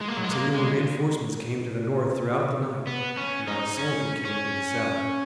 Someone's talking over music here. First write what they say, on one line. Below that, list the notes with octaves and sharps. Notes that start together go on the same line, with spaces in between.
Continual reinforcements came to the North throughout the night, not a soldier came to the South.
G#3
A#3
F#3
G#3
A#3
G#3
B3
C#4
D#4
C#4
C#4